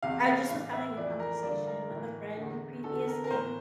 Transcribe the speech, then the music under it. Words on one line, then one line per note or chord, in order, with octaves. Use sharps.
I just was having a conversation with a friend previously
E2 C3 E3 F5
F5
A2 E3 F5
E5
F2 E3 D5
A#4
G2 D3 D5
A#4
A2
E3
E2 D3
E2 D3 A4
A#4
A#4
A2 E3 C5